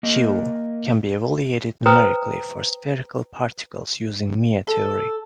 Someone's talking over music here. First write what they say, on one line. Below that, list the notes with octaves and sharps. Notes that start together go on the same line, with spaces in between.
"Q" can be evaluated numerically for spherical particles using Mie theory.
A#3 A#4 D#5
B4 C5 G5 A#5 D#6
A4